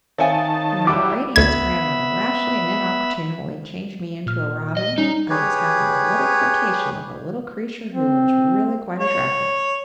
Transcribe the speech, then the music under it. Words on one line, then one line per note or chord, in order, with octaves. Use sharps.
When my great-aunt's grandmother rashly and inopportunely changed me into a robin, I was having a little flirtation with a little creature who was really quite attractive.
D#3 C4 C#5 E5 F5 G#5 A5
F#3 G3 E4 D6
D2 B3 E5 B5 G#6
A#2 F6
D#5
G3 C#4 D#4
G4 G#4 B4 C#5
C4
C#5